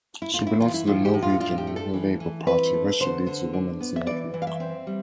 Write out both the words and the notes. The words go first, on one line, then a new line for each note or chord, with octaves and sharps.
She belongs to the Norwegian Labour Party, where she leads the women's network.
E4
A3 F4
E4
E3 F4
E4
A2 F4
G4
A2
F4
D4 F4
G4
A3
A4
E3
E3
C4 B4
A3
D3 C5
D3
D4
B3
E5
E3 D5
E3
F5
E5
C4
G3